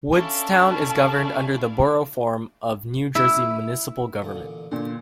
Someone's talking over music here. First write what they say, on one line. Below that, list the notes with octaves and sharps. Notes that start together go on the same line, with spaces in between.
Woodstown is governed under the Borough form of New Jersey municipal government.
C#4 D4 E4 A4 F5 A5
E4
A1 A#2 D3
A#2 D3 C5